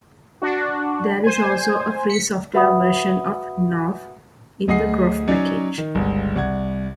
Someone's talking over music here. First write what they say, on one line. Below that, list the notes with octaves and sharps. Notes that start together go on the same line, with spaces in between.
There is also a free software version of "nroff" in the groff package.
D4 F#4
C5 G#5
B6 C#7
F#4 B4 E5 F#5 B5 D#6
D2 G#4 D#5 F#5 D#6 C7
F#3 C#4 D#4 D5
D#3
G1 C#2
C2 F#5 G#6